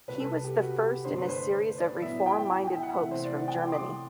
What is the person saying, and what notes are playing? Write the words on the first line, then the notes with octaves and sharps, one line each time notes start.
He was the first in a series of reform-minded popes from Germany.
C2 C3 G3 B4
A4
G4
F#4
G4
G2 D3 A3 D4 C5
B4
C5
C5
D5
A2 F#3 B3 E5
G5
G5
G5
E5
F#5
C3 E3 A3 C4 E5
C5
D5
F#5
G5
C6
D6